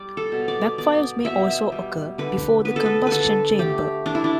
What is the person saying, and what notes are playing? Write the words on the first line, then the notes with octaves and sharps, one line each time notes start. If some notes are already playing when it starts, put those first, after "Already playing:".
Backfires may also occur before the combustion chamber.
Already playing: G3 D5
A4
B2
D5
B3 D5
B2 E5
E5
G3
D3 B4
B3 B4
A4
B4
D3 A4 B4
A3 G4
E3 D4
E4
D4